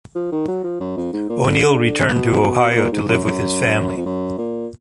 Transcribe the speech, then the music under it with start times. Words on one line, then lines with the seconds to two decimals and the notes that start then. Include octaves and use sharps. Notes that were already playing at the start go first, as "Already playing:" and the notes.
O'Neill returned to Ohio to live with his family.
0.15 F3
0.32 D#3
0.48 F#3
0.64 F3
0.80 F#2
0.97 F2
1.13 G#2
1.30 A#2
1.46 D3
2.11 B2
2.71 B2
2.76 A#2
2.92 G#2
3.08 F#2
3.24 F#2
3.97 F2
4.06 F#2
4.38 A#2